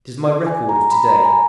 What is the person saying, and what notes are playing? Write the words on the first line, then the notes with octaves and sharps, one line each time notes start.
It is my record of to-day.
D5
G#5
A#5
B5
A#5
G#5